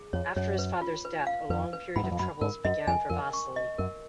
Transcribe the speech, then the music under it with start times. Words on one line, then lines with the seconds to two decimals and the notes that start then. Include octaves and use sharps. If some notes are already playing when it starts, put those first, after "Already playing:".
After his father's death, a long period of troubles began for Vasily.
Already playing: G#4
0.13 F2 C#5
0.36 F#2 C#5
0.59 B4
0.82 F4
1.05 B4
1.27 F5
1.50 F2 B4
1.73 B4
1.96 G#2 B5
2.04 F#2
2.11 F2
2.19 F#2 B5
2.41 G#2 A#4
2.65 F#2 D#5
2.87 F2 G#5
3.10 F2 A#4
3.33 C#6
3.56 D#5
3.78 F#2 A#4